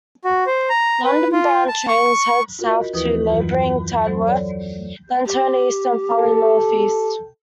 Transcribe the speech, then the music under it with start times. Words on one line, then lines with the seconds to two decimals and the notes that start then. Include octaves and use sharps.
London-bound trains head south to neighbouring Tadworth, then turn east and finally north-east.
0.25 F#4
0.46 C5
0.69 A#5
1.05 B4
1.32 F4
1.68 A5
1.88 C#6
2.59 F4 F#4 A#4
2.71 D#5
2.93 D#2 E3 F3 E4 B4 D#6
3.30 F#2 E3 F#3 F4
4.04 F#3 A4 C5
4.28 C#5 D5
5.26 G4
6.17 A4